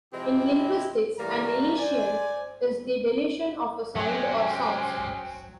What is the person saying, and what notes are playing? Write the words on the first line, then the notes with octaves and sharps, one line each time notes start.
In linguistics, an elision is the deletion of a sound or sounds.
C3 F3 G#3 C4 E4 G4
A2 E3 G3 A#3 A#5
C5 D5 G#5
F#3 G#3 C#4 G4 C5 G5 G#5